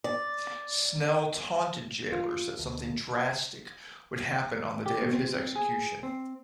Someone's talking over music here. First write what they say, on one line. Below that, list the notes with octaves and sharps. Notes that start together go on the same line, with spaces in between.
Snell taunted jailers that something drastic would happen on the day of his execution.
D5
F4
D2
G4
B2
C4
C4
G#4
C4